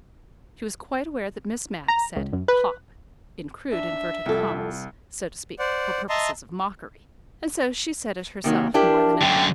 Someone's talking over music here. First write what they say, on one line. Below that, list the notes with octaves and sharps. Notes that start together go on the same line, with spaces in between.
She was quite aware that Miss Mapp said "pop" in crude inverted commas, so to speak, for purposes of mockery, and so she said it herself more than ever.
A#5
C#2
F#2
B4
D4 E5
C2 F2 A4
C5 D5 F#5
D#5 E5 A5 A#5 C6
C3 D#3 F#3 A#3
D4 E4 G4 A#4
F#2 D3 G5